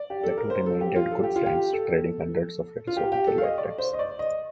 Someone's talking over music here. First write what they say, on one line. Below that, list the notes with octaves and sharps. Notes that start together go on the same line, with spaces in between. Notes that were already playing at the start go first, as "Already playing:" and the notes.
The two remained good friends, trading hundreds of letters over their lifetimes.
Already playing: D5
G4
A4
A#4
C5
A4
G4
F4
A4
G4
F4
G4
A4
F4
G4
G4
A4
F5
D#5
D5
C5
D#5
D5
D#5